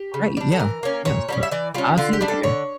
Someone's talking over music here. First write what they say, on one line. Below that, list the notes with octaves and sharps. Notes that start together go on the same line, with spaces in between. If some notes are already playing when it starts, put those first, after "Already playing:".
Right, yeah, yeah, so I'll see you later.
Already playing: G4
C#3
G3 D4
A4
E3 A#4
A#3 C#4
A#2 C#5
G3 A#3 C#4
E5
E3 D5
G3 C#4 F4
D3 F4
G4
G3 D4
A4
D3 C#5